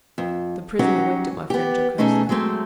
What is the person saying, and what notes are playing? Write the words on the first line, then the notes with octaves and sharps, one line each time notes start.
The prisoner winked at my friend jocosely.
F2
F#3 C#4 D#4 F#4 G4
B3 G4
B2 A3 C#4 D#4 G#4 A4
F#3 G#3 A3 C4